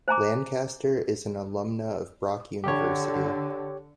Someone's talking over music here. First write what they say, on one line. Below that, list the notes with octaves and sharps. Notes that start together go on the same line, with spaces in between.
Lancaster is an alumna of Brock University.
C5 G#5 A#5 D6
D3 G4 C#5